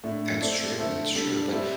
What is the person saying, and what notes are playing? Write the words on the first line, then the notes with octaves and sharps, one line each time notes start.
That’s true, that's true, but
A2 A3 D4
A3 C4 A4 D5
D3 A3 E4 A4 C5
G3 D4 A4
G3 C4 E4 A4 C5